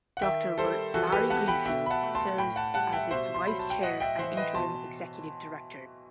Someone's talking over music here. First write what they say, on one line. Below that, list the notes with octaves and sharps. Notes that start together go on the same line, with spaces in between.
Doctor Larry Greenfield serves as its Vice Chair and Interim Executive Director.
F#5
D#3 E5 G5
G3 A4 C5
E3 F#4 A4
A4
G4 B4
B3 F#5 A5
G5 B5
B2 E5 G5
B5
F#5 A5
A3
A5 C6
A2 G5 B5
F#5 A5
G3 F#5 A5
E5 G5
B2 C5 E5
C6
F#3 B5
A5
G5
A2 D#5 F#5
E5 G5
E3 C5 E5
B4 D#5
B2 A5 C6